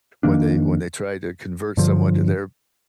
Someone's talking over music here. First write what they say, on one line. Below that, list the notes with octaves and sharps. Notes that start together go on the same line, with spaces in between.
when they when they try to convert someone to their
F2 D#3 A#3 D4
G2 D3 F3